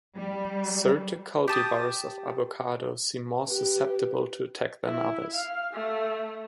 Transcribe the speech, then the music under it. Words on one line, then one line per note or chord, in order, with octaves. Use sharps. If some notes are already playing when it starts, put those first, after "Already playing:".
Certain cultivars of avocado seem more susceptible to attack than others.
G3
G4 A5 D#6
G4 B4
E4
F5
A3